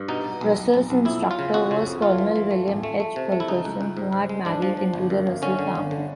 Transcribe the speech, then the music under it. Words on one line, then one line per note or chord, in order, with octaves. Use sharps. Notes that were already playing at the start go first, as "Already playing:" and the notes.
Russell's instructor was Colonel William H. Fulkerson, who had married into the Russell family.
Already playing: G2
B2 D#4
B2
B1
B1
B1
B1
F2 E4
F#3
F4
C#3
F2 F#4
C#3
F2
A3 F4
E3
E3
A3
A1
A3
A3
C3
A3
E4
C#2 D#4
C#2
C#2
G#2
G#2
G#3
G#2 D4
F3
F3
G1
F#2
G1
D3 C#4
D3
G1
D3